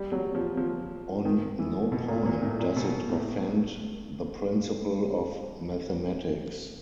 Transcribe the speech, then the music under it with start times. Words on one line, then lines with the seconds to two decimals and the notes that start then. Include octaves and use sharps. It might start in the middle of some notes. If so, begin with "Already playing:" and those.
On no point does it offend the principle of mathematics.
Already playing: G3
0.12 F#3
0.35 F3
0.57 F3
1.25 D#3
1.59 E3
1.92 B2
2.08 A#2
2.26 A#2
2.42 A2
2.59 A#2
2.76 B2
3.09 A2